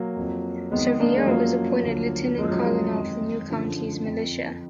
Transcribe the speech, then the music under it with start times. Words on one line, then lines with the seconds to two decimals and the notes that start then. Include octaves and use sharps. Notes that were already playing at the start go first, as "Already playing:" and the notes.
Sevier was appointed lieutenant-colonel of the new county's militia.
Already playing: F#3 A#3
0.16 F2 F3
0.71 F2 D#3 G#3 B3
1.00 A#3 D4
1.17 G#3
1.27 F#2 F3 F#3 A#3
1.83 D2 D3 F3
2.38 F#2 F3 G#3
2.51 F#3
2.65 G#3
2.94 F2 D#3
3.50 F#2 D3 F3
4.05 F2 F3